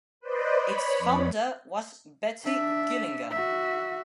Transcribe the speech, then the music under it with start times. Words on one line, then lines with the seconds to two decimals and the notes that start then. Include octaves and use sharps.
Its founder was Betty Gillingham.
0.20 B4 C5 D5 D#5
0.56 C#5 B5
0.99 F2
2.43 D4 E5
3.31 F#4 E5